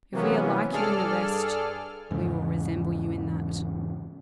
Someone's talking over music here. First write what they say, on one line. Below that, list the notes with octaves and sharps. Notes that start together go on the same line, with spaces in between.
If we are like you in the rest, we will resemble you in that.
C3 E3 F#3 A#3 B3 C#4
G2 G#4 A4 D5 F6
E2 G#2 C#3